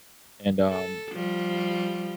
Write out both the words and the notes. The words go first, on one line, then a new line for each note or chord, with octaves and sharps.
And, um
A4
F3 G3